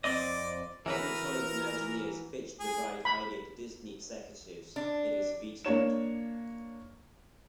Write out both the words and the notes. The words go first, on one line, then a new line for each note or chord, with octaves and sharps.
Every time Imagineers pitch the ride idea to Disney executives, it is vetoed.
F2 C4 D5 D#5
E3 F#4 A#4 B4
G#4
B5
D4
A#3 D4 C#5 E7